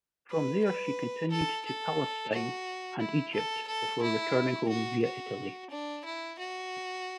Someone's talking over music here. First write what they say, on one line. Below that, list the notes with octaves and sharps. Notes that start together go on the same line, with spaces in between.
From there she continued to Palestine and Egypt before returning home via Italy.
B4
B4
A4
A4
F#4
E4
A4
A4
E4
F#4
F#4
D4
E4
F#4